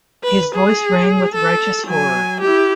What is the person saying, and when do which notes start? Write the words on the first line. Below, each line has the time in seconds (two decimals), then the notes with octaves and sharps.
His voice rang with righteous horror.
0.24 B4
0.55 G#4
1.35 A4
1.87 F#3 G#5
2.40 E4 G4